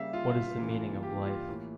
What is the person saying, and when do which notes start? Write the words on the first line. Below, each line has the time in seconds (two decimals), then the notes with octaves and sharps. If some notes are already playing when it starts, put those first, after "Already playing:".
What is the meaning of life?
Already playing: C#3 G3 A#3 E5 F5
0.13 F4
0.58 C#3 E3 A#3
1.03 G4
1.25 F4
1.48 A2 E3 A#3